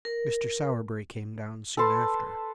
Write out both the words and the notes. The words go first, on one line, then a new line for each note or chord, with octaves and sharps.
Mr. Sowerberry came down soon after.
A#4
A4 B4 A5 C6